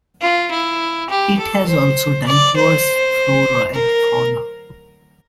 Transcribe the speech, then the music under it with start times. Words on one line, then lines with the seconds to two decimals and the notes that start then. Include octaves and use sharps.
It has also diverse flora and fauna.
0.22 F4
0.51 E4
1.09 G4
1.39 A4
1.68 C5
2.27 D5
2.56 C5
3.74 A#4